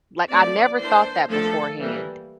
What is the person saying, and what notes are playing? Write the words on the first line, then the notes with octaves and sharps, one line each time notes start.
Like, I never thought that beforehand.
F3 A3 C4 D5
E3 A#3 D4 C5
F3 A3 D4 A4
E3 G3 A#3